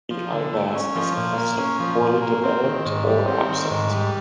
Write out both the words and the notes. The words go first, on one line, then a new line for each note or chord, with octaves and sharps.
The eye mask is also poorly developed or absent.
F3
D3
A3
C#4
F3
A#2
A#3
C#4
F3
A#2
A#3
C4
D#3
G#2
G3
C4
D#3
G#2
G3